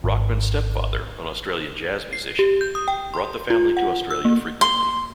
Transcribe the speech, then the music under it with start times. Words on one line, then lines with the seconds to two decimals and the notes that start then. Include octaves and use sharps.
Rockman's stepfather, an Australian jazz musician, brought the family to Australia frequently.
0.04 G#1
2.13 C7
2.39 G4
2.61 G6
2.75 D#6
2.88 G5
3.14 C6
3.50 F4
3.77 F#5
4.11 E6
4.25 A#3
4.61 C6